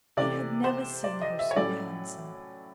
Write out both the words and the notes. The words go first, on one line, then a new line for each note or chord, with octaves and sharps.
He had never seen her so handsome.
C3 E3 A3 D5
C5
D5
D#5
E5
C#5
A2 F#3 A3 C#4 D5